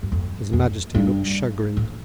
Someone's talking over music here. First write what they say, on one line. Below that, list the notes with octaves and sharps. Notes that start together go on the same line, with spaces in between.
His Majesty looked chagrined.
G2
F2
F2
G2
A2